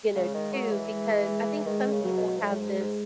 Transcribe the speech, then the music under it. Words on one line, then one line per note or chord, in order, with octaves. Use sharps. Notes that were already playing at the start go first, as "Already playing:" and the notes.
you know, too, because I think some people have this,
C#3 G#3
D#3
F#3
E3
G#3
G#3
D#3 G#3
C#3
F#3
B2
G#2
A2 G#3
G#2
G#2